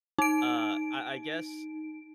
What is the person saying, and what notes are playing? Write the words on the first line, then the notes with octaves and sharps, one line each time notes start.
Uh, I I guess
D#4 D7